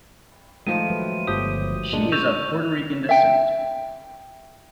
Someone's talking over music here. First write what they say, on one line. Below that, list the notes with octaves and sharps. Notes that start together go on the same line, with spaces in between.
She is of Puerto Rican descent.
D#3 F3 G#3 A3 F4 D#7
F#3 B4
G1 F3 G4 D#6
A#2 G#3 D4
C#6 E6 G6 F7
E5 G5